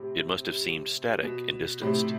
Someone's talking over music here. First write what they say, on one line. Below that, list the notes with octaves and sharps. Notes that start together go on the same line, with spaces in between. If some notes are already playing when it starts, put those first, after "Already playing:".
It must have seemed static and distanced.
Already playing: A2 C3
B2
A2 C3